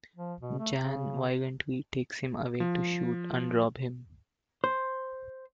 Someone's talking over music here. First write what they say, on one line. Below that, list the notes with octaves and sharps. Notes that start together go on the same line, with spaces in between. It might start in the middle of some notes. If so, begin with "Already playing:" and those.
Jan violently takes him away to shoot and rob him.
F3
B2
A3
C#3
F3
C5